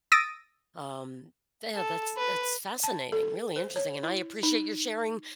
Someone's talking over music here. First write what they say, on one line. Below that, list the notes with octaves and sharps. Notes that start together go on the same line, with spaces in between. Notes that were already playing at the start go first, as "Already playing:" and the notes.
um, they, uh, that's that's fascinating, really interesting, and I appreciate your sharing
D#6 E6 A6 A#6 D7 D#7
A4
B4
A5
A4
C5
C#5
E4
D#4